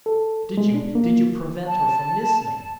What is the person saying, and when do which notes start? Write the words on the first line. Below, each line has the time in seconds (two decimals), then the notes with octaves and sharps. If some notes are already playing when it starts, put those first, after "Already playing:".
Did you--did you prevent her from listening?'
0.06 A4
0.57 G#3
0.74 D4
0.95 A#3
1.67 A5